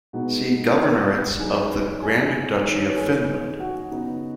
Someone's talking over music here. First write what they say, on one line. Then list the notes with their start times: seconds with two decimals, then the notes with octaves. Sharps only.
See Governorates of the Grand Duchy of Finland.
0.13 B2 G#3 B3 D#4 F#4 F#5
0.76 B4 B5
1.39 F#2 F#3 D#4 G#4 G#5
1.55 B4 B5
2.02 G#4 G#5
2.65 D#3 F#3 D#4 C#5
2.76 B4
2.87 C#5
2.96 G#4 G#5
3.60 F#4 F#5
3.91 C#3 B3 D#4